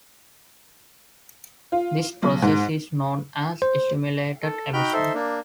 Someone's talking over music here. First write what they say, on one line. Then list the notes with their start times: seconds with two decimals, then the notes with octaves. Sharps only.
This process is known as "stimulated emission".
1.72 F4
2.23 B1
2.42 G#2
3.62 C5
4.42 A4
4.73 D#4 F#4 G5 B5 F6 G6
4.93 D#4 A4 C5 E5
5.14 A#3 D4